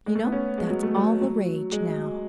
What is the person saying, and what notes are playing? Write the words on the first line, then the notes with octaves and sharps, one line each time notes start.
You know that's all the rage now.
G#3
A3
B3
C#4
G#3
F#3
A3
A3
F#3
G#3